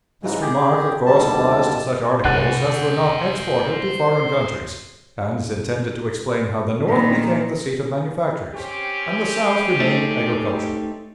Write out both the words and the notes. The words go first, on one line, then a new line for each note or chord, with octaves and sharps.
This remark, of course, applies to such articles as were not exported to foreign countries, and is intended to explain how the North became the seat of manufactures, and the South remained agricultural.
G#2 C#3 E3 G#3
G4 G#4
D#2 B2 D3 G3 A5
C3 C5 F#5 G#5 F#6 A6
A#2 D#3
C4 C#4 G4
A3 D#4